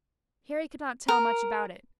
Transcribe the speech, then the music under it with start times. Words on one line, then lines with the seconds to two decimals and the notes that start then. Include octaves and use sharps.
Harry could not tell much about it.
1.08 A#4